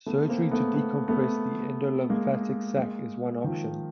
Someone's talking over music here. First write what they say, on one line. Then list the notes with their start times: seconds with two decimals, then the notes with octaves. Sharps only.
Surgery to decompress the endolymphatic sac is one option.
0.06 A3 B3
0.29 A#3 C4
0.51 A3 B3
0.74 A3 B3
1.08 A3 B3
2.10 G#3 A#3
2.78 G#3 A#3
3.44 D#3 F3